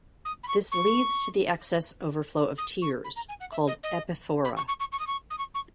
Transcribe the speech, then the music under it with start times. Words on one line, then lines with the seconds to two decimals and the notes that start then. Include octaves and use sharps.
This leads to the excess overflow of tears called "epiphora".
0.25 D#6
0.43 B5
0.48 C#6
0.71 C#6
2.58 D#6
2.81 C#6
3.04 B5
3.16 A#5
3.28 G#5
3.40 F#5
3.51 E5
3.67 D#5
3.83 D#5
4.44 B5
4.56 C#6
4.68 C#6
4.79 C#6
4.92 C#6
4.99 D#6
5.07 C#6
5.30 D#6
5.38 C#6
5.54 C#6